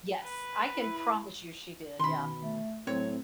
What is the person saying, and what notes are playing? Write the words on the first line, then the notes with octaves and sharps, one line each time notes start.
Yes, I can promise you she did, yeah.
B4
E4
B2 D#3 C#4 B5 C6
A3
A2 F#3 C4 C#5